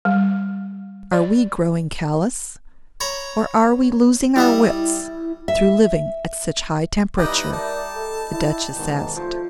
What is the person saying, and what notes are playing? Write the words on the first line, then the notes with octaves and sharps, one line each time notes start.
"Are we growing callous, or are we losing our wits through living at such high temperature?" the Duchess asked.
G3
D5
C#5 A#5 B5
G3 E4 D#5 E5
E5
G3 D#4 E4 B4 D#5
A#4 D5 E5 A5
A4
E4
G#2 B2 D#3
F3 A3 C5